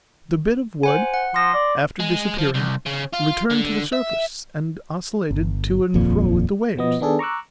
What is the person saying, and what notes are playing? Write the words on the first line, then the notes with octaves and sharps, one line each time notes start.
The bit of wood, after disappearing, returned to the surface and oscillated to and fro with the waves.
C5 F#5 G#5
F#5
F3 C6 A#6
D5
G#3
F3
C2
C#3
F4
D3
E5
G1
D#1 A#1 F2 A#2
B2 F3 B3 D#5
D#3 B3 D4 G#4 A4
A#5 C#6 D6 E6 F#6